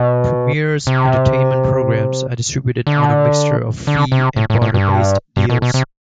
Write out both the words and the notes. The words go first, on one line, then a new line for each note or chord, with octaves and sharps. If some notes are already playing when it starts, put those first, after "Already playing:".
Premiere's entertainment programs are distributed on a mixture of fee and barter based deals.
Already playing: B2
C3
D3
D3
C3
A2
A2
A2
G2
G2
B2
B2
C3